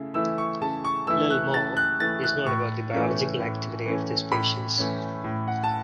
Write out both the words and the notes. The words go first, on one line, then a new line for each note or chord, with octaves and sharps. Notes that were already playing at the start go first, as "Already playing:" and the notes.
Little more is known about the biological activity of this species.
Already playing: C#3 A3 E4
E3 A3 E4 E6
C#6
C#3 A5
C#6
E3 A3 E4 E6
F#6
C#3 A6
F#6
E3 A3 E4 A6
F#6
A2 C#6
E3 A3 C#4
A2
E3 A3 C#4
A2 B5
E3 A3 C#4
A2
F#5
A5